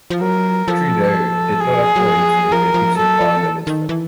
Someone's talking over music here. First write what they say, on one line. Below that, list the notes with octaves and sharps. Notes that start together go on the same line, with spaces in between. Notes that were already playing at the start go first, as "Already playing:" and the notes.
Trudeau did not appoint a deputy prime minister.
F3
F#3 A#4
F3 A4
G#4
F#3
F3
F3 A#4
F3
F#3 A4
F3
E3
D#3
E3